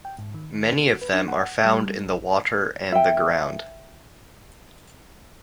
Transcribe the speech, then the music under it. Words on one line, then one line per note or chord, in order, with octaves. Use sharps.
Many of them are found in the water and the ground.
G5
G#2
D#3
F#4
B4
D4
F#5
G3
A1
E5 G5